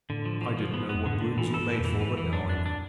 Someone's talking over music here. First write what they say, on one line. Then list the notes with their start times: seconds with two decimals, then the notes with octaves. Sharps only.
I didn't know what broughams were made for, but now I know.
0.10 A2 D3
0.25 F3
0.41 F3
0.57 F3
0.73 G#2 B3
0.89 B3
0.95 F2
1.06 A2 D3
1.16 G#2 D3
1.37 A2 E3
1.54 A4
1.59 G#2
1.70 E3
1.80 F2 E3
1.95 A2
2.01 G#2 E3
2.17 E3
2.23 F2
2.33 D4
2.45 F2
2.49 D4
2.58 F2
2.66 D4